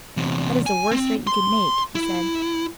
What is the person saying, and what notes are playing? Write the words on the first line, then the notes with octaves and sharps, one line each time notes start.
"That is the worst threat you could make," he said.
E2 C3
G#5
C4
C6
E4